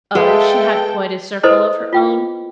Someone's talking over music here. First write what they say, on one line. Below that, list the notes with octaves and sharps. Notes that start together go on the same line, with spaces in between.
Oh, she had quite a circle of her own.
G#3 G#4 A4 B4 E5 F5 G5
E4 A4 B4 C5 D#5
F4 G5